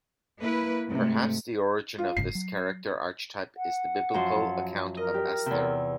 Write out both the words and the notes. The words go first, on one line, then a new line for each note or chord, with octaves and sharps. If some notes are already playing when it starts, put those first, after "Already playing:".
Perhaps the origin of this character archetype is the biblical account of Esther.
A#3 E4 B4
G#2 C3 A3
F4
F#1 G#2 C#3 C7
F#3
F#5
F#2 F3 C5
A#4 D#5
G4
E2 C3